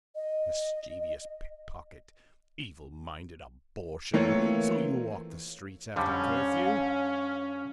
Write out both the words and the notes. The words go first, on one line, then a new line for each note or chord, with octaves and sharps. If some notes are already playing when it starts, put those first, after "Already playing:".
Mischievous pick-pocket, evil-minded abortion, so you walk the streets after curfew?
D#5
E3 A3 A#3 C4 F4 C#5
F2 D3 G3 C#4 F5